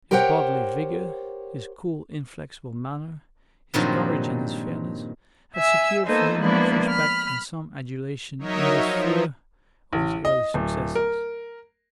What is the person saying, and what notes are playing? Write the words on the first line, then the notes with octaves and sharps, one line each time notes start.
His bodily vigour, his cool inflexible manner, his courage and his fairness, had secured for him much respect and some adulation in the sphere of his early successes.
G4 A#4 C5 C#5 F#5 G5
G2 A#2 D#3 F3 F#3 C4
E5 G#5 E6
A#3 B3 D#4 A4 C5
F3 G#3 A#3 B3 D4 E4
B5 F6
F#3 D#4 A#4 C#5 D#5 E5
F3
A1
D#5
D1
A#4